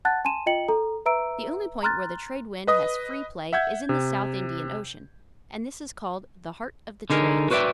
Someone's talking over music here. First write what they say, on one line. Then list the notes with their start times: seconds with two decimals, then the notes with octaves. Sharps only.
The only point where the trade wind has free play is in the South Indian Ocean, and this is called the "heart of the trades."
0.05 F#5 A5 F#6 A6
0.25 G#5 A5 C6 D#7 E7
0.46 F4 D#5 G5 C#7 F#7
0.68 A4 A#5
1.06 B4 E5 A#5 E6 D7
1.83 A#5 C6 F6 F#6 A6
2.67 B4 D#5 D#6
3.53 E5 F#5 G6 G#6
3.89 C3
7.10 D3 D#4 G#4 A#4
7.51 F#4 B4 C5 D5 E5 G5